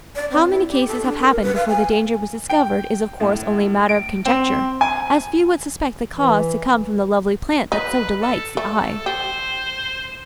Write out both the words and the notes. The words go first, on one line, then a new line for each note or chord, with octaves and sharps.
How many cases have happened before the danger was discovered is of course only a matter of conjecture, as few would suspect the cause to come from the lovely plant that so delights the eye.
D5
C4
E4
G4
A4
D4
A#4
B4
F5
G#5
G5
A2
D7
C4
G#5
E3
D#4 B4
A4
A3 A4
G4 C5